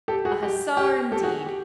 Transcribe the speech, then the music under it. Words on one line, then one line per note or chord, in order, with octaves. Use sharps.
A hussar indeed!
G4 A4
F#4 G#4
G4
G4
G4 A4
F#4 G#4
G4